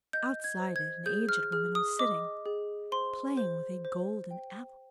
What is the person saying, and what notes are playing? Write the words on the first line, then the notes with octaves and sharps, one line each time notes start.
Outside it an aged woman was sitting, playing with a golden apple.
D#5 G6
G#6
C5
G#6
G#4 G6
F6
G#4 F6
D#6
D#5 D6
G#4
C5 C6
C5
C5
G5